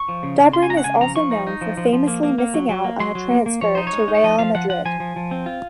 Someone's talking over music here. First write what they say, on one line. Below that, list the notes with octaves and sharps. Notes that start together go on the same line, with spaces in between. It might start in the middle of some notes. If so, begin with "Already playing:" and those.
Dobrin is also known for famously missing out on a transfer to Real Madrid.
Already playing: C#6
F3
C#3
C#3
C#3 C6
G#5
G#3 A#5
F#5
C#3 G#5
F3 A#5
F3 C#6
D#4
D#4
F3
F3
F3
A#3
A#3
A#3
F#3
F#3
A#3
F#3 C6
F#3
A#3
A#3
F3 C#5
D#4 C5
C#5
G#3
D#4
C#5
F3 D#5
F3 F5
F3 F#5
F3 F#5
F3 G#5
F3
F3
C4
F4